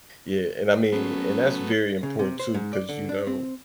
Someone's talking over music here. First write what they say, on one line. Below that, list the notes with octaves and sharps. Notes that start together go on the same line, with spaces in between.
yeah, and I mean and that's very important too 'cause, you know,
F#3 A3 B3 C#4
C#3
C3
C5
G#2
D5
D3
D4
C4